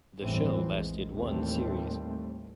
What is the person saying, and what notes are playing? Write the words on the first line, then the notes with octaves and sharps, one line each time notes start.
The show lasted one series.
G1 E2 A2 E3 G3 C4
A#1 G#3
D#2 A2 E3 G3 A3 C4